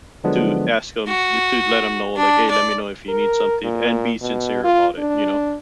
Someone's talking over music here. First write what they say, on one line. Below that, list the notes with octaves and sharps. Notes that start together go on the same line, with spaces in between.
to ask 'em to let them know like, "Hey, let me know if you need something," and be sincere about it, you know.
D3 F3 F#3 G#3 B3 D4
F#4
D4
D5
A#4
A#2
B2
F4
D4